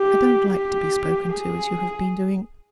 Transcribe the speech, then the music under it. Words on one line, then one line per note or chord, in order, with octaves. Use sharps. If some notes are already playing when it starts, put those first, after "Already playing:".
I don't like to be spoken to as you have been doing.
Already playing: G4
G4
G#4